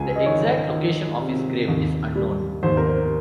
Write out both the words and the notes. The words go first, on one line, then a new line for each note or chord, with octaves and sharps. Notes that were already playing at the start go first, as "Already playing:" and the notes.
The exact location of his grave is unknown.
Already playing: C#2 G#5
D#5
D#3 C#5
D#3
C3
D#2
G3
D#2 C5
A#4
C5